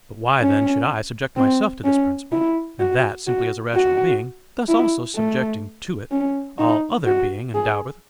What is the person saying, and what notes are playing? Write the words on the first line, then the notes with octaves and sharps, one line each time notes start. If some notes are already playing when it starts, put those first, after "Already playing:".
But why then should I subject myself to this principle and that simply as a rational being, thus also subjecting to it all other being endowed with reason?
C#4
C4
C#4
E4
F#4
F#4
F#4
E4
A3
C#4
D#4
F#4
G#4